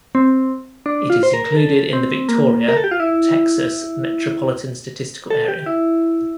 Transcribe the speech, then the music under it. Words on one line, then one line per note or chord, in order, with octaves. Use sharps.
It is included in the Victoria, Texas, Metropolitan Statistical Area.
C4
D4
F4
C5
A#4
A#4
A4
C4
A#3
A#4
A4
G4
F4
E4
A4
G4
E4